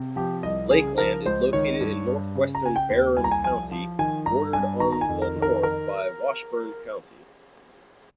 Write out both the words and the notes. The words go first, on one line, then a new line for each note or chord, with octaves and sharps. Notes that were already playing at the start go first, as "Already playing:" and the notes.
Lakeland is located in northwestern Barron County, bordered on the north by Washburn County.
Already playing: C3
F3 G4
C2 D#5
C#3 G#4
F3 A#4
C#2 C5
D#3 C#5
G2
G2
C#3
A#5
C#3 G#5
G5
D#2
C2 G#5
A#5
G#5
F3 G#5
F3
D#3 G#5
G2 A#5
G2 G#5
D#3 A#5
A#5
G#5
F2
A#4
D#3
A#4
D#3 A#4